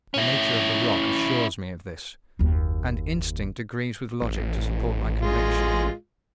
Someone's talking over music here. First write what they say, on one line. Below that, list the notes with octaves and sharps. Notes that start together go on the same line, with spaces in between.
The nature of the rock assures me of this, and instinct agrees with logic to support my conviction.
C#4 E4
F#1 D#2
A1
G#3 F4